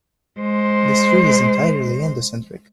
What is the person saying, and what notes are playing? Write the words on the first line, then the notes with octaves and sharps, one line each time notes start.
This tree is entirely endocentric.
G#3 C5